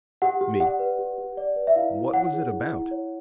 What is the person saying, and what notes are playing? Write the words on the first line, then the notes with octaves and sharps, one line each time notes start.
ME: What was it about?
G4 F#5
G4
D5 F#5
B4
G4
G4
D5
B4
E5
E4 F5
E4
C#5 F#5
G#4
E4
E4
C#5